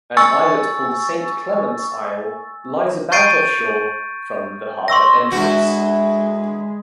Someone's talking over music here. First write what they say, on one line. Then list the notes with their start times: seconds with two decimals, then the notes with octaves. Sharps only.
An islet called Saint Clement's Isle lies about offshore from the harbour entrance.
0.17 G#5 C#6 E6 A6
3.12 C#6 G6 A6 C7 D7 D#7
4.88 C6 C#6 E6 A#6
5.32 D3 G#3 E4 F#4 B4